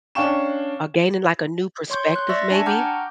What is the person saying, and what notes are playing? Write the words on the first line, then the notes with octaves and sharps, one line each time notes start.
or gaining, like, a new perspective maybe?
C#4 D4 F5 G5 C#6 E7
C#5 C6 C#6 G6
C6 F#6
D5 E5 C#6 E6 A6 A#6
D4 G#5 A5 C#6
F#5 G5 A#5 D6 F6 G6